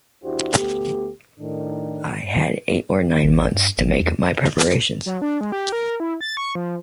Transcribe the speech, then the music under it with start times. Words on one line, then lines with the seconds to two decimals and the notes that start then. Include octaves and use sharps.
I had eight or nine months to make my preparations.
0.23 E2 D4 E4 F#4 G4 C5
0.55 D2 A3 B3 G4
1.39 A2 D#3 D4
3.23 A1
3.54 G2
3.77 G#1
4.01 E2
5.06 F#3
5.22 D4
5.41 G#3
5.52 G4
5.72 A#4
6.00 E4
6.21 A6
6.37 C#6
6.55 F3